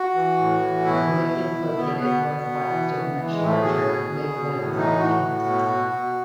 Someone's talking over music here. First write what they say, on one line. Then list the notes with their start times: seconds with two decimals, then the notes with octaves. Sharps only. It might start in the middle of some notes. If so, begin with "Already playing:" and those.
The lake is located northwest of much larger Lake Winnipesaukee.
Already playing: F#4
0.15 E3
0.38 A2
0.61 E3
0.84 B2 E4
1.08 B2
1.30 B2
1.54 B2
1.77 B2 B3
2.00 B2 B3
2.23 B2
2.46 B2
2.69 E3
2.93 E3
3.15 E3
3.30 G#3
3.38 A2
3.46 A3
3.61 B2 G#4
3.84 B2
4.07 B2
4.30 B2
4.53 A2
4.77 E3 D#4
4.99 A2 F#4
5.23 A2
5.46 B2
5.69 B2
5.92 B2